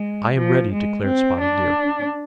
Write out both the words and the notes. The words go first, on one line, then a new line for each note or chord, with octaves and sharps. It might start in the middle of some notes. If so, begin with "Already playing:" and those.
"I am ready," declared Spotted Deer.
Already playing: G#3
F3
G#3
C4
D4